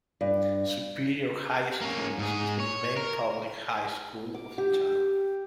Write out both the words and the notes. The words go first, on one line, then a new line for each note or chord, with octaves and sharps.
Superior High School is the main public high school of the town.
G2
A#3 C#4
G#2 G#4
C#5
A#4
D6
G4